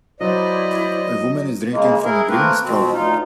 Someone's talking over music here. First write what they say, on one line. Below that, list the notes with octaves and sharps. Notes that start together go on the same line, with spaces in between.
A woman is drinking from a green straw.
F#3 E4 C5 D5 D#5
C#3 G#3 A#3
E4 G#4 A#4
A3 A#3 C4 A#4 B4
F2 B2 C4
D2 D#4 F4